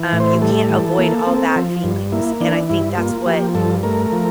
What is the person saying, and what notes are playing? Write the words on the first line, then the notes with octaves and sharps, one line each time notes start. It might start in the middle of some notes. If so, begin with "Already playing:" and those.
Um, you can't avoid all bad feelings, and I think that's what
Already playing: E3
A2
C5
G3 A4
E3
A#3
C4
F3
G2
A#3 E4
E3 D4
G2 E4
A#3 F4
F3 G4
G2 A4
A3 A#4
F3